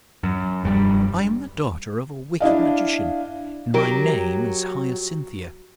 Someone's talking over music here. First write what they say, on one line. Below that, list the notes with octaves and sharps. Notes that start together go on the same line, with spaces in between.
I am the daughter of a wicked magician, and my name is Hyacinthia.
F#2
F1 G2 A#2 G3
D4 E4 D#5 F5
F#3 G4 A#4